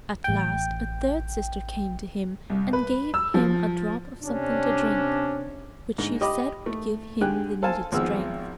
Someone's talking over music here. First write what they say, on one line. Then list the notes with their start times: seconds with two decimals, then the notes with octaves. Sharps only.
At last a third sister came to him and gave him a drop of something to drink, which she said would give him the needful strength.
0.24 A1 G5
2.50 C2
2.73 B4
3.14 E6
3.34 F3
4.22 C3 C#4 D4
5.98 G#2 D3
6.21 G4 D#5 B5 D6
6.66 A3
7.21 D3 G#3 G4 G5 G#5 F#6
7.63 A4 C5 F5 G#5 A5
7.92 G#1 F3 B3 G#4 E6